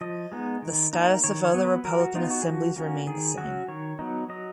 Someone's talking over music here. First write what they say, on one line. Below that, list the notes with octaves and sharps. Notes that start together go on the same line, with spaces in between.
The status of other republican assemblies remained the same.
F3 D#5
G#3 B3 D#4
D#3
A#3 D#4
D#3 C#5
C#5
F#3 B3
B4
F#3 A#4
F#4
B3 D#4 F4
F#4
G#4
F3 F#4
A#3 C#4 F#4
D#3 G#4
F#3 C#4 F#4
D#3 C#5
F#3 B3 D#4
F#3 D#5